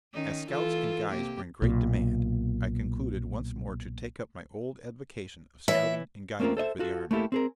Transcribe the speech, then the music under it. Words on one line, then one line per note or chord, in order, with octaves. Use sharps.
As scouts and guides were in great demand, I concluded once more to take up my old avocation of scouting and guiding for the army.
D#3 C#4 D#4
E3 F4 A4
C3 A#3 G4
B1 A#2
E3 E4 C#5 E5
A3 A#3 C4 C#4 F4 A#4
A4 C5 D#5 E5
F4 F#4 A4
A3 A#3 E4 G4 A4
C4 G#4 A#4